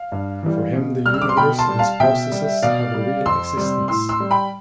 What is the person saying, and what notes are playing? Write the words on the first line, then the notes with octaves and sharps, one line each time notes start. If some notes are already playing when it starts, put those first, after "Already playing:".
For him the universe and its processes have a real existence.
Already playing: F5
G2
E3 G3
B2
G3 F6
E6
D6
C6
B2 G5 B5
A5 C6
G3
F5 A5
B2 E5 G5
G3
B2 D5 F5
G3
F2 C6 E6
C3 G3
A2 C6 E6
C6 E6
G3
G5 B5